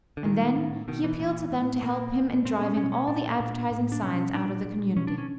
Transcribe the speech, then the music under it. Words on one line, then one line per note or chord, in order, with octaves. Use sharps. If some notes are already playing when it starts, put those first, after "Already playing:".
And then he appealed to them to help him in driving all the advertising signs out of the community.
D3
A#2 D#3
A2
B2 D#3
E3
A#2
A2
A#2 A#3
A#2
A#2 C4
C#4
B2 C#4
C#4
A#2 D4
A#2
A2
D4
B2 C#4
A#2 D4
A#2
B2 C#4
D4
C#4